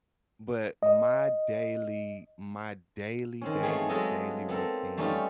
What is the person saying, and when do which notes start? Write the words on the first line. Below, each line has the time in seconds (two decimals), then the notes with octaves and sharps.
But my daily my daily, daily, daily routine
0.83 D#5
3.41 D#3 C4 C#4
3.63 A3 B3 C4 D#4 F4 G#4
3.89 F#3 G#3 F4 A4 D#5
4.49 B3 C4 A4 A#4
4.97 G3 A3 C#4 D#4 F4 A4